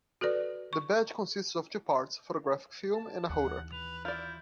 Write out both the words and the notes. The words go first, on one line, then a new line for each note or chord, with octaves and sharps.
The badge consists of two parts: photographic film, and a holder.
F#4 A4 B4 D5
C#6
A5
D#2 E3 F#5
B4 F7
E4 F4 D5 G6